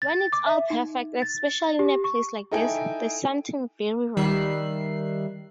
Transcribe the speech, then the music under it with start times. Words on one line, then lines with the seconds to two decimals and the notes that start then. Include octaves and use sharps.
When it's all perfect, especially in a piece like this, there's something very wrong.
0.02 A6
0.33 D6
0.46 E5
0.70 D#4
1.22 A6
1.79 G4
2.04 C#6
2.51 D#4 E4 A4 G5 G#5
4.17 D#3 G3 E5 F#6 C7